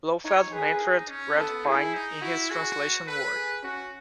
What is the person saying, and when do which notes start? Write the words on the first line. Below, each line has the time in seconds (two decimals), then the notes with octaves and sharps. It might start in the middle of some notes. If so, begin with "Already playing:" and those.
Blofeld mentored Red Pine in his translation work.
0.25 D#4 C#5
0.53 G#4 B4
0.81 D#4
1.09 C#4
1.38 B3 A4
1.66 E4 G#4
1.94 D#4
2.22 E4 F#4
2.51 F#4 G#4
3.07 A4 B4
3.36 G#4
3.63 C#4 F#4